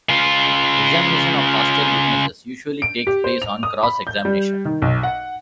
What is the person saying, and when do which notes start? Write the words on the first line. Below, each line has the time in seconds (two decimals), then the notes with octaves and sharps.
Examination of hostile witnesses usually takes place on cross-examination.
0.09 C#3 F4
2.82 D7
3.07 G4
3.24 C5
3.42 F7
3.63 D#6
3.83 B5
4.07 G6
4.25 G3
4.65 D#3
4.82 B1
5.03 F#5